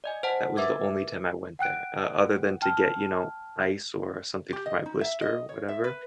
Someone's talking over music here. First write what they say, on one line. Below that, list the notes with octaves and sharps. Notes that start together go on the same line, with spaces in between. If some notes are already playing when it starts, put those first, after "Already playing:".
that was the only time I went there, uh, other than to get, you know, ice or something for my blister, whatever,
D5 D#5 G#5
C5 F#5 A5
A#4 B4 E5 D6 G#6
F#5 G5 F#6 D7
G5 A5 F6
G4
D#5
D#4
E5
D#5
C#5
E5
B4